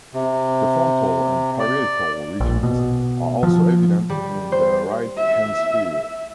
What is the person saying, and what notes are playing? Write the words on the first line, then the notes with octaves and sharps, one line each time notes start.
The frontal and parietal regions are also evident in the right hemisphere.
C3
D5
A#1
B2
F3
G3
C5
E5